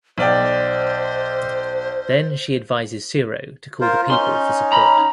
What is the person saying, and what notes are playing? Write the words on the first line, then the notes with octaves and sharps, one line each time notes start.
Then she advises Siroe to call the people for support.
B1 C5 D5 G5
F4 A#4 C5
C#4 D#4 C6
A#5 B5